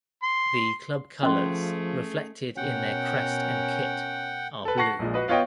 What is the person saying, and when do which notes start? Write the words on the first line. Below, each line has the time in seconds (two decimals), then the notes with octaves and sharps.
The club colours, reflected in their crest and kit, are blue.
0.23 C6
1.23 F3 A3 C#4 G#4 D#5 C6
2.57 B2 C#4 A#4 F#5 G5
4.65 A4 B4
4.78 F#5 A5 C#6 A#6 C7
4.99 A#1 A#2 G#3
5.14 F#4 B4 D#5
5.28 B3 F4 C#5 D#5 G5